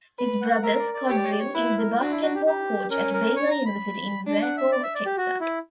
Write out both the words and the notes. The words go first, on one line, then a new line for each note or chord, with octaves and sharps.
His brother, Scott Drew, is the basketball coach at Baylor University in Waco, Texas.
B4
F#5
A#4 E5
D5
D5
G4 C#5
D5
C#5
D5
C#5
E4 B4
A#4
D4 F#4
E4
F#4
G4
G4
C#4 A#4
A#4
C#5
A#5
B5
D4
F#5
E5
D5
E5
D5
G4
F#4
E4